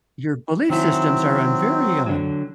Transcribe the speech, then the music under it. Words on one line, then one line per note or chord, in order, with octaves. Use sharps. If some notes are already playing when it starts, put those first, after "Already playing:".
your belief systems are on very, um
D#3 F#3 C4 E4
D3 F#3